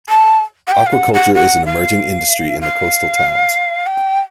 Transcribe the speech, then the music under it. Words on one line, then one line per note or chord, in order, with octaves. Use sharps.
Aquaculture is an emerging industry in the coastal towns.
A5
F#5
G5
F5
F#5
F#5
F#5
F5
F5
G5